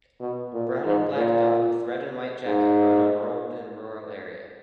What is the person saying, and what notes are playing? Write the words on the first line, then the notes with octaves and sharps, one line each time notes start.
Brown and black dog with red and white jacket run on road in rural area.
B2
A#2
G#2
A#2
G#2